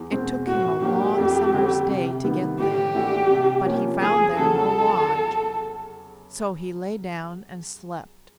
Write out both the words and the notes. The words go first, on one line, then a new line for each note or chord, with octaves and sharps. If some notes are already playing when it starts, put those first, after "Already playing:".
It took him a long summer's day to get there, but he found there no lodge, so he lay down and slept.
Already playing: E2
B2 G#3 C4
A2 F#4
F#3 A#3 D4 G4
F2
D3 G3 C4
C3
D#3 G3 B3
A2 G4
E3 A3 D4 F#4
C3
F3 A#3 C#4
E2 G#4
C#3 F#3 A4